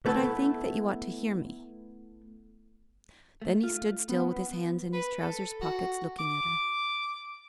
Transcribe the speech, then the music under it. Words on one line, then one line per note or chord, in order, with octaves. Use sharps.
"But I think that you ought to hear me." Then he stood still with his hands in his trowsers pockets looking at her.
A3 B3 E4 A4
A3
F4
B3
B4
A4
F#4
D6